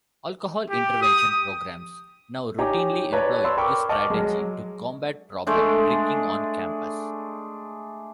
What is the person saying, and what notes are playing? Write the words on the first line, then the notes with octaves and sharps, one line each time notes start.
Alcohol intervention programs now routinely employ this strategy to combat problem drinking on campus.
G4
D#6
D#4 G4 C#5 G#5 A#5
B4 C#5 D5 A5 A#5
C#5 D5 B5 C6 E6
A#4 G5 B5 C#6 D6 E6
D#5 A5 C#6 D6 F6
F#3 G#3
G#3 A3 D4